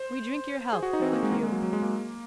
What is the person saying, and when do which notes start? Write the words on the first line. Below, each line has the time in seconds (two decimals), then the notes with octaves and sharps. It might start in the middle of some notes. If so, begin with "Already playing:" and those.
'We drink your health, Curlicue.
Already playing: C5
0.73 G#4
0.83 F#4
0.93 D#4
1.02 C4
1.13 A#3
1.23 G#3
1.32 A#3
1.43 G#3
1.52 F#3
1.63 F#3
1.73 G#3
1.82 A#3